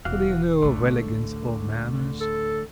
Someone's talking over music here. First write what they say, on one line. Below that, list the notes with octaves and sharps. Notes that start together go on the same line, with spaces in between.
What do you know of elegance or manners!
E1 E3 F#4 F5
A1 D2 D3 A3
A4